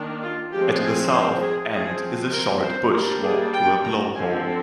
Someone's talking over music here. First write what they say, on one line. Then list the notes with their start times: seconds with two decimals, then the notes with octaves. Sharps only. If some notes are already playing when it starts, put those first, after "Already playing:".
At the south end is a short bush walk to a blowhole.
Already playing: D#3 A#3 D4
0.22 F4
0.51 F3 G#3 C4 G4
0.82 G#4
1.12 C5
1.43 G#4
1.72 F3 C4 G#4
2.32 A#4
2.63 C5
2.93 G3 A#3 D4 A#4
3.23 G#4
3.53 G5
3.84 A#5
4.14 D3 F3 C4 G#5